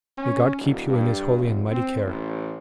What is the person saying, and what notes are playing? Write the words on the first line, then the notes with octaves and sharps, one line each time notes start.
May God keep you in His holy and mighty care.
C#4
D#1
G2
F1
C4
A1